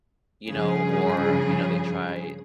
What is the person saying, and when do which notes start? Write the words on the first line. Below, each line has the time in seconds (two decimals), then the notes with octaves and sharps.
you know or, you know, they try,
0.48 G2 C#3 F3 G#4